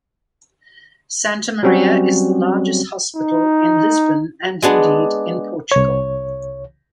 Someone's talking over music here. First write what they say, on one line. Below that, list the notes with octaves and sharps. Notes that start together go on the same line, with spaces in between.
Santa Maria is the largest hospital in Lisbon and indeed in Portugal.
F#3 G3 C4 C#4 F#4
D#4
G#3 B3 D4
C2 C#5